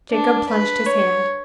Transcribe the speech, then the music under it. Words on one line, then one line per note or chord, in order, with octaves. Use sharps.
Jacob plunged his hand.
D4
B4
C#5